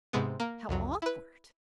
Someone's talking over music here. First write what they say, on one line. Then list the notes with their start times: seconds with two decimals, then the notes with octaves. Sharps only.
'How awkward.
0.13 G#2 C3 G#3 B3
0.40 A#3
0.69 C2 F2 F#3
1.02 E4 B4